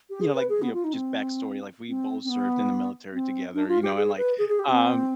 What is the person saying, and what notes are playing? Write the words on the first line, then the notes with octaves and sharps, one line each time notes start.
you know, like, you know, just backstory, like, we both served in the military together, you know, and like, um
G4
G#4
B4
G#4
B3
F4
D#4
C4
C4
C4
B3
C4
D4
F4
G4
G#4
B4
G#4
G#4
G4
C4